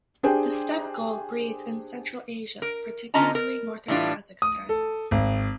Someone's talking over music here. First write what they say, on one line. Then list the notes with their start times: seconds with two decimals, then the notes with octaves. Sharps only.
The steppe gull breeds in Central Asia, particularly northern Kazakhstan.
0.23 D4 G4 G#4 C5 G5
2.62 A#4
3.14 D3 C#4 F4 D#5 A5 A#5
3.35 A#4
3.88 A2 E3 G3 D4 F4
4.42 D#6
4.69 A4
5.11 G#1